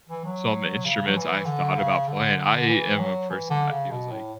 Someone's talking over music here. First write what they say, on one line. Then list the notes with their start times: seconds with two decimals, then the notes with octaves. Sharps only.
some instruments I thought about playing. I am a person that feels like
0.09 E3
0.24 F#3
0.85 C#3
1.06 F#3
1.16 E3
1.46 D3
1.77 C#3
2.08 D3
2.69 E3
2.99 F#3
3.30 E3
3.50 D3
3.71 C#3
3.91 B2
4.12 A2